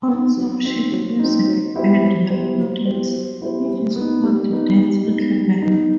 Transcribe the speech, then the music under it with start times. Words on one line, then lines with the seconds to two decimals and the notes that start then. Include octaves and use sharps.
On some sheet music and recordings it is called "Dance Little Bird".
0.09 C4 D#4
0.37 F#3
0.64 C4 D#4
0.92 F#3
1.19 C4 D#4
1.47 F#3
1.75 B3 E4 G4 C5
2.03 F#3
2.30 B3 E4 G4 C5
2.58 F#3
2.85 B3 E4 G4 C5
3.13 F#3
3.41 B3 E4 G4 C5
3.68 G3
3.96 B3 D#4
4.23 G3
4.51 B3 D#4
4.79 G3
5.06 B3 D#4
5.34 G3
5.62 B3 D#4